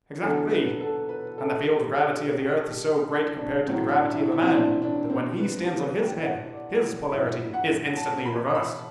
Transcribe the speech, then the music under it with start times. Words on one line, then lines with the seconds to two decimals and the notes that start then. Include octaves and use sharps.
"Exactly, and the field of gravity of the earth is so great compared to the gravity of a man that when he stands on his head, his polarity is instantly reversed."
0.23 E2 D3 F#3 A4
0.51 B4
0.81 A4
1.09 B4
1.38 A4
1.66 G4
1.95 A4
2.16 G4
2.38 G4
2.60 G4
3.10 D4
3.38 D4
3.67 A1 A2 F#3 C4
3.89 D4
4.10 E4
4.32 E4
4.42 C4
4.53 D4
4.82 D4
5.10 C4
5.39 B4
5.60 G4
5.82 B4
6.04 G5
6.25 F#5
6.53 D5
7.11 A1 G2 F#3 E5
7.54 F#5
7.97 A5
8.26 B5
8.55 B5